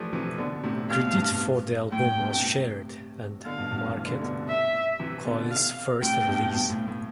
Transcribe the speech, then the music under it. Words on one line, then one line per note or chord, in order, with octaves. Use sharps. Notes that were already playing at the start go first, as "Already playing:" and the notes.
Credit for the album was shared, and marked Coil's first release.
Already playing: E3 F3 G3 A3
C3 E3
B2 D3
A2 C3
C3 F5
B2
A2
G2 B2
A2 G5
A2
G2 B2
A2 C3
B2 D3 F5
G2 B2
G2 B2
A2 C3
E3
D3
C3
B2 D3
E5
C3 E3
B2 D3
F5
A2 C3 G5
G2 B2
G2 B2
A2
A2